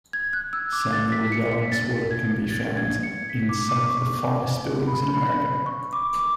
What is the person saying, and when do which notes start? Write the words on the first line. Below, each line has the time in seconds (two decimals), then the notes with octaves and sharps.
Samuel Yellin's works can be found in some of the finest buildings in America.
0.13 G#6
0.33 F#6
0.53 E6
0.73 D6
0.93 A6
1.12 B6
1.32 C#7
1.52 B6
1.72 A6
2.11 G#6
2.50 A6
2.77 G#6
3.03 C#7
3.30 B6
3.49 D6
3.69 D6
3.89 C#6
4.88 B5
5.14 B5
5.40 B5
5.66 C#6
5.93 D6
6.19 D6